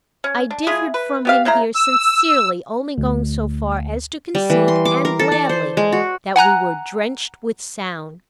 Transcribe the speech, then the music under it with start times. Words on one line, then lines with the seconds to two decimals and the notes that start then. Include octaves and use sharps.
I differed from him here sincerely, only going so far as to concede, and gladly, that we were drenched with sound.
0.24 C#4
0.51 D4
0.67 G#3 E4 F4 G#4
0.94 B4
1.25 B3 G4 F5
1.45 C#3 E4 F5 A#5
1.75 E6
2.98 D2
4.35 G3
4.50 E3
4.68 C6
4.85 D6
5.05 A#4
5.19 A4
5.32 D5
5.49 C5
5.77 G#3
5.92 F#4
6.36 F#5 G#5 A#5 F#6